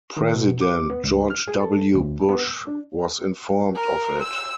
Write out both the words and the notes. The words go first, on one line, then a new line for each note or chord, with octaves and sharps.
President George W. Bush was informed of it.
D#3
B2
D6
B3
C#2
F6
G#4
A4
D2
B3
E6
D4
A#4
E6